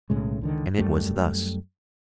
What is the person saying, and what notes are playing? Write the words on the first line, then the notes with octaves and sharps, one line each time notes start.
And it was thus.
B1 A2 C#3 G#3
C#2 D3 D#3
F#2 G3 A3